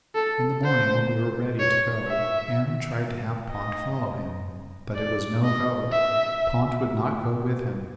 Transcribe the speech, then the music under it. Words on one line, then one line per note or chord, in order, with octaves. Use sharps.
In the morning when we were ready to go Am tried to have Pont follow him, but it was no go, Pont would not go with him.
A4
C5
C#5
E5
D#5
D5
D#5
E5